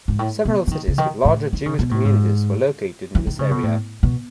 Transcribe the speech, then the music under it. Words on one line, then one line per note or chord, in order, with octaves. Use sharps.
Several cities with larger Jewish communities were located in this area.
G#2
A2
B2
E3
D#3
C#3
D#3
A2
D#3
C#3
B2
A2
G#2
E3
D#3
C#3
B2
A2
B2